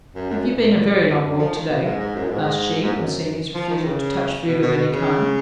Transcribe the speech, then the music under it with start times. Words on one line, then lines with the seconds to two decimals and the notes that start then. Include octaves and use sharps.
'Have you been a very long walk to-day?' asked she, on seeing his refusal to touch food of any kind.
0.15 F#2
0.30 F#2
0.47 A#2
1.07 F#2
1.19 G#2
1.23 F#2
1.38 F3
1.54 D#3
1.70 B2
1.85 G#2
2.00 G#2
2.15 F#2
2.24 A#2
2.31 G#2
2.83 G#2
2.93 F#2
3.54 F3
3.69 D#3
3.85 C#3
4.46 B2
4.62 B2
4.78 B2
4.92 C#3